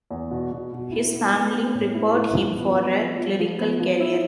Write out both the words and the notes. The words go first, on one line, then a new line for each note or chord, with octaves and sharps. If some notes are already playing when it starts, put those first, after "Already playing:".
His family prepared him for a clerical career.
E2
B2
B2
B2
E4
B3
B3
B3
A2
E4
E4
F3
B3
B3
F3
F3
F3
B3
F3
E4